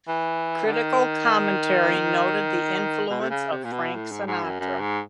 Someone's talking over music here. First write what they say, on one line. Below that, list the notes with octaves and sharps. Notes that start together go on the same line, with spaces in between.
Critical commentary noted the influence of Frank Sinatra.
E3
D3
D#3
B2
C3
C#3
C3
A#2
B2
A2
G#2
G#2
F#2
F#2
G#2